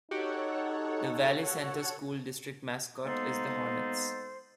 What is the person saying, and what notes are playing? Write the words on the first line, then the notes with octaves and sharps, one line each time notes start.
The Valley Center school district mascot is the Hornets.
D#4 F#4 G4 A4 C#5 F#5
G#3 A#3 B3 D#4 A4 C5